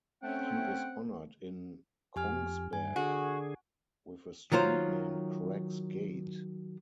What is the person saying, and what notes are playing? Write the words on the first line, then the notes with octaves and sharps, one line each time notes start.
He is honored in Kongsberg with a street named Krags gate.
A3 C4 C#4 F#5 G5
F2 G4 G#5 F6
G2 G#5
D3 F#4 G#4
D#3 F#3 F4 C5